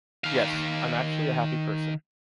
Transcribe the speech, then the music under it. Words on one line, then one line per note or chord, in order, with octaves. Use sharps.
Yes, I’m actually a happy person.
D#3 F5